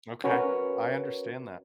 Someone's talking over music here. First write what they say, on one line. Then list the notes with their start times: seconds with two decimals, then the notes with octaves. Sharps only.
Okay. I understand that.
0.24 C#4 F#4 A#4 B4 C#5